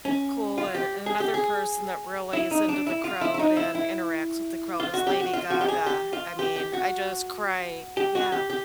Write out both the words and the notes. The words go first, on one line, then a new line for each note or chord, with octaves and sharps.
cool and and another person that really is into the crowd and interacts with the crowd is Lady Gaga, I mean, I just cry, yeah.
C#4
F4
G4
G#4
G4
G#4
E4
D#4
D4
E4
F4
E4
E4
D#4
E4
E4
F4
F#4
G4
F#4
F4
F#4
G4
G#4
G4
F4
G4
G4
F#4
G4
F#4
G4
G4